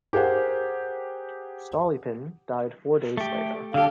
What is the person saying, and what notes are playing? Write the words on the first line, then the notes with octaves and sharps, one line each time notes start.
Stolypin died four days later.
G4 G#4 A#4 C5 F#5
A3 G4
D3 G4 A4 F5